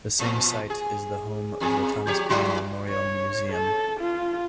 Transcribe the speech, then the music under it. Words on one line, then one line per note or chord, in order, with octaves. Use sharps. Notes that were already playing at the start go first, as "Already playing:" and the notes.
The same site is the home of the Thomas Paine Memorial Museum.
A#2 F3
G#4
E2 G#4
F3 G4 C#5
F3 E4 F#4
C#5
A4
F4